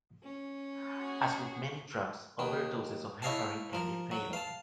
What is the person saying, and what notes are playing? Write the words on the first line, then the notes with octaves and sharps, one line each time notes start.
As with many drugs, overdoses of heparin can be fatal.
C#4
F#4 G#4
D#2 D#3
E4 C#5 D#5 F5 G#5 A5
F3 A#4
F#3
F5 A5